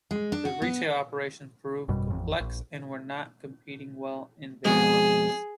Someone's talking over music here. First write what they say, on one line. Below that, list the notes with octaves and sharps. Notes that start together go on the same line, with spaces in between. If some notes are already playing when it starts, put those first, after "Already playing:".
The retail operations proved complex and were not competing well in their markets.
G#3
D4
F#4
B3
G#1 F#2 B2 G3
A1 F2
A#1
F2 B2 G#3 G#4